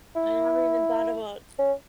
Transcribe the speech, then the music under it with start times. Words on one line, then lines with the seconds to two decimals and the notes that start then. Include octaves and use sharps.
I never even thought about
0.16 E4
1.59 C#4